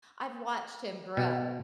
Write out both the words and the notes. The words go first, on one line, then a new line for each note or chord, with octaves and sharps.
I've watched him grow,
B2